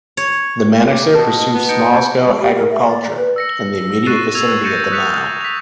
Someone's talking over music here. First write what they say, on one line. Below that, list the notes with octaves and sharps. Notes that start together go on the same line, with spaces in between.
The Manasir pursue small scale agriculture in the immediate vicinity of the Nile.
C#5
G4
B2 D#5 A5
B3
D#4 A#5 G6 C#7 D7
C3 C5 G#5 A5
G#3
G4
A#4
E5
D5
B4
E6 A#6 C#7
C#6 F#6 A6 C7 D#7 E7
E6 G#6 F7
G6 A6 A#6 C#7 D#7 E7
D#6 F#6 B6 C#7 F7
B6 F7